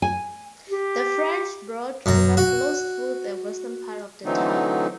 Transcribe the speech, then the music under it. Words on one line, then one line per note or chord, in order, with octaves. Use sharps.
The French Broad River flows through the western part of the town.
G#5
G4
F#2 A#5
F#4
D3 E3 F#3 A3 C4 D#4